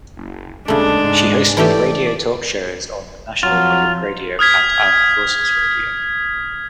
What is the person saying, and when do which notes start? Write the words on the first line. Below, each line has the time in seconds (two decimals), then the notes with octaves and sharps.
She hosted radio talk shows on National Public Radio and Armed Forces Radio.
0.17 F#1
0.68 D#2 C#3 G#3 A3 D4
1.03 G#2
1.57 E3 A3 G4 D5
3.43 F2 F#3 F4
4.39 D#6 F6 G#6 B6